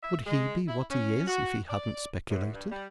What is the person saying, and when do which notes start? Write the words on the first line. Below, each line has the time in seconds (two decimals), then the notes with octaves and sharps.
Would he be what he is, if he hadn't speculated?'
0.03 E5
0.26 G#3
0.67 E4
0.90 C#4
1.27 F#4
1.69 D5
2.29 F#2
2.53 G2
2.71 G3